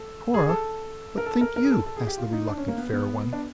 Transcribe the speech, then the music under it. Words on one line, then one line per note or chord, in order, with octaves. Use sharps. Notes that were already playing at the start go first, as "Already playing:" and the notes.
"Cora, what think you?" asked the reluctant fair one.
Already playing: A4
G#4
A4
A#4
A4
A#4
A#4
G#4
A4
A4
G#4
G4
F4
D#4
D4
C#4
A#3
B3
B3
D4